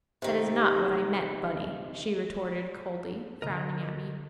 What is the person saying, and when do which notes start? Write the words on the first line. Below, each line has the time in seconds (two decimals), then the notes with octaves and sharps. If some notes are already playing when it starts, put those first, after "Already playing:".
"That is not what I meant, Bunny," she retorted, coldly, frowning at me.
0.22 C3 D#3
3.42 D3 A#4 D#5 A#5